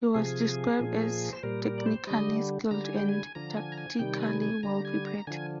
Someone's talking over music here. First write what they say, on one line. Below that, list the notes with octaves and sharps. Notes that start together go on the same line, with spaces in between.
He was described as "technically skilled and tactically well prepared".
C3 F3 G#4
A#2 F3
C5
A#2 G3 A#4
A#4
D5
C5
D3 G3 D#5
D3 G3 A#5
G#5
G5
G#5
D3 F3 A#5
G#5
A#5
G#5
C3 D#3 G3 G5
G#5
G#5
D3 G3 A#5
G#5
A#5
D3 F3 G#5